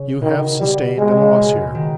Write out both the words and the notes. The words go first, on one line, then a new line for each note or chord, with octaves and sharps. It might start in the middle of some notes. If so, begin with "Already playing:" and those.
You have sustained a loss here.
Already playing: C#3
B2 D#3
B2 G3
B2 G#3
C#3
B2
B2
D#3